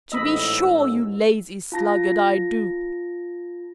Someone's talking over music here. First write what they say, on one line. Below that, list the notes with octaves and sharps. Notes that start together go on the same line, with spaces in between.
"To be sure, you lazy sluggard, I do?"
A1 G#2 D#5 B5 E6
F4 A5 A#6